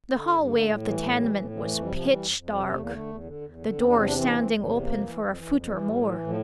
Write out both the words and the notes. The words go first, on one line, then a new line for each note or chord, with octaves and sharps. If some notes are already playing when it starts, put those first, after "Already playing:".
The hallway of the tenement was pitch-dark, the door standing open for a foot or more.
D3
G2
D3
A#3
A2 A3
E3
G3
A2 A3
G3
E3 G3
A2
E3
F2 A3
C3 G3
F3
E3 G3
F2
F2
C3
E2 A3
A#3
D3 A3
E2
D3
E2
D3
E2 C4
D4
C3 C4
D4
E3 C4
E2 D4
C4
E2
C3
F2 A#3
E3
F2
E3
F2
E3
A2 G3
E3
A2
F3